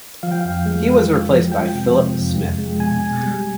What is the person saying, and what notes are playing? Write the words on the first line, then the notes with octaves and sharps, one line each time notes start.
He was replaced by Phillip Smith.
F3 F5
G5
F2 F5
G#3
F3
F3
F3
F3 G5
C3
C3
F2
F2
G#3
B2 G#5
B2
G3